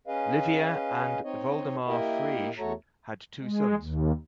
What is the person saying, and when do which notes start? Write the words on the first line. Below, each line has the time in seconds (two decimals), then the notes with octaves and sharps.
Livia and Woldemar Frege had two sons.
0.07 C#4 G#4 B4 D#5 F5
1.24 C4 D#4 C#5 D#5
1.87 A#3 E4 G4 A#4 D#5 E5
2.59 E2 A3 F#4 A4 C#5 A#5
3.42 G#3
3.79 D#2